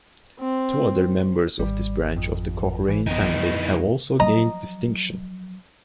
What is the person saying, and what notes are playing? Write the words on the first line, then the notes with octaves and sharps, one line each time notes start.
Two other members of this branch of the Cochrane family have also gained distinction.
C4
G#1 G3
F2
E3
F2 E3 B3 D#4
F3 F#3 D#5 A#5